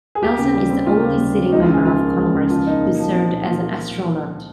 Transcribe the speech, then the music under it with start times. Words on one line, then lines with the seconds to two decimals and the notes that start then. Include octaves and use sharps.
Nelson is the only sitting Member of Congress who served as an astronaut.
0.15 G#4
0.21 D#2 G4
0.38 C#3
0.54 G3
0.70 C4
0.87 D#2 F4
1.03 C#3
1.20 G3
1.37 C4
1.52 C#2 D#4
1.63 F4
1.68 C#3
1.74 G#4
1.84 F3 F4
2.01 A#3
2.17 C#2
2.34 C#3
2.49 F3 F4
2.67 A#3 D#4
2.83 A#2
2.99 F3
3.14 C4
3.31 A#2
3.47 A#2 F4